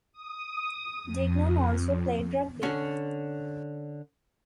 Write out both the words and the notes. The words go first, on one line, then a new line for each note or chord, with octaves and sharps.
Dignan also played rugby.
D#6
F2
D3 C#4